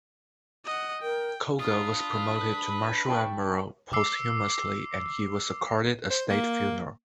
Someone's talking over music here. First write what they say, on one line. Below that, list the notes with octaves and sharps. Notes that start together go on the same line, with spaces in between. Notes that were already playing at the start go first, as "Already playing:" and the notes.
Koga was promoted to Marshal Admiral posthumously and he was accorded a state funeral.
D#5 F#5
A#4 G5
D4 F4 B5 D#6
B4
G5 A5 C#6
D6 E6 C7
C5
A#3